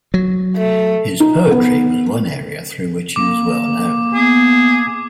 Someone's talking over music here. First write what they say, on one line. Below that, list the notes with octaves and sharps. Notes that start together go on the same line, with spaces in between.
His poetry was one area through which he was well known.
F#3
A3
D#4
B3
A#3 D6
B3 G#4